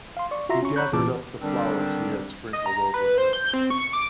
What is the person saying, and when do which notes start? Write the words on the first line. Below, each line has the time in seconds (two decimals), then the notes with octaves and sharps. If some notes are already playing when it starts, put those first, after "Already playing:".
He gathered up the flowers he had sprinkled over her.
0.17 F5 C6
0.31 D5 C#6
0.49 F4 F#4 E5 A#5 C6 A#6
0.62 C#4 C#6
0.76 C#5 A#5 B5 C#6 F#6 G6
0.93 A#2 E3 A5 D6
1.41 D3 D#3 G3 C4 D4
2.53 D#5
2.66 A#5
2.94 B4
3.18 C5
3.33 G6
3.54 C4
3.70 C#6
3.93 D6